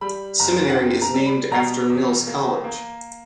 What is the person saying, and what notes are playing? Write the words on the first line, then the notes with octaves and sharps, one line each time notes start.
Seminary is named after Mills College.
G3 B5
F#1 A#5
F#5
C#3 G5
A#5
G3
B5
B2 A#5
E2
A#3
A#3